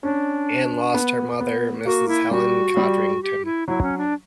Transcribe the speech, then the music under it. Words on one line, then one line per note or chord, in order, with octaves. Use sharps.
Ann lost her mother, Mrs. Helen Codrington.
C#4 D4
B3
B3
A#3 F#4
E4
G3 F#4
G3
G4
E4
F#3 E4
C#4
D4